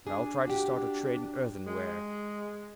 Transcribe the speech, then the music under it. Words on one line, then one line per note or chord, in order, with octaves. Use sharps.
But I will try to start a trade in earthenware.
D4 G#4
F#4 G4
G#3